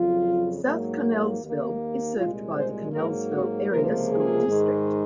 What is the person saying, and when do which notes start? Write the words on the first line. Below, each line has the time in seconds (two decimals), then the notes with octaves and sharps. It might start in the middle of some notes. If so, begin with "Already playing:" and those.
South Connellsville is served by the Connellsville Area School District.
Already playing: F2 C#3 F#3 F4
0.63 G#2 F#3 A#3
1.39 D#2 D#3 A#3
2.16 C2 A#2 G#3 F4
2.54 C5
2.93 G#2 F#3 A#3 A#4
3.31 F#4
3.69 C#2 C3 F3 A#3 A#4
4.08 G#4
4.46 G#2 D#3 G#3